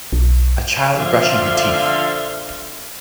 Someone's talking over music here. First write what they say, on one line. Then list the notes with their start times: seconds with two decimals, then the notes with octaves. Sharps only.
A child brushing her teeth.
0.13 B1
0.93 D3 F3 E5 F5 C6